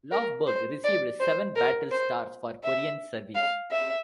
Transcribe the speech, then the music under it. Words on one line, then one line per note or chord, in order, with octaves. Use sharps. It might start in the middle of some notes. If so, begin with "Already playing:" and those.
"Lofberg" received seven battle stars for Korean service.
A#4
C5
D5
C5
A#4
C5
E5
F5
E5